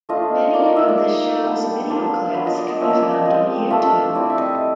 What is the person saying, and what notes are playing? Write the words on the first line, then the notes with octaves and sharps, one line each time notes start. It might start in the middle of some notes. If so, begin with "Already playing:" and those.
Many of the shows video clips can be found on YouTube.
A3 D4 F4 D#5
A#3 D#4 D5
D#5
E5
D5
A#3 D#4
G3 B3 D4
A#3 D4 F4 B4
F#3 B3 D4 F4 B4
D#5
D5
D#5
F3 A#3 C#4 E5
D#5
D5
D#5
G3 C4 F4 D#5
A3 D4 F4 E5
G3 C4 E4 D5
E5
D#5